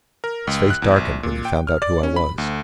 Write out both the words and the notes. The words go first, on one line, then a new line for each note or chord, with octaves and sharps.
His face darkened when he found out who I was.
A#4
C#2
F#6
E2
A#1
A#2
G5
F6
D5
C#4
B5
D2